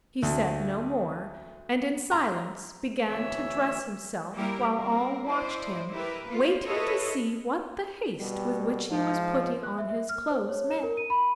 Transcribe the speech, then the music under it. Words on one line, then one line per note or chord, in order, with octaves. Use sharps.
He said no more, and in silence began to dress himself, while all watched him, waiting to see what the haste with which he was putting on his clothes meant.
D2
A#5
D2 E3 C#5 E5 E6
G3 A#3 E4 G4 G#4 A#4
G3 C4 A#4
E4 C5 D5 D#5
E4 G4 A#4 B4
A#3 B3 F4
E4 F4 A4 B4 C#5 D#5
B2 G3
G#2 F3
F#6
E5
E5
F6
C5
C#5
E7
A#4
D#7
B5